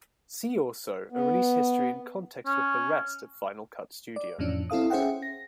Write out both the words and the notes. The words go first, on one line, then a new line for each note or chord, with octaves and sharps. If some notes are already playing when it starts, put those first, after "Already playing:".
See also a release history in context with the rest of Final Cut Studio.
B3
C#4
D5
F2 A2 E3 F3 C#4 D4
C4 E4 A4 F5 D#6
C#4 G#4 C5 E5 F#5 G5
A#6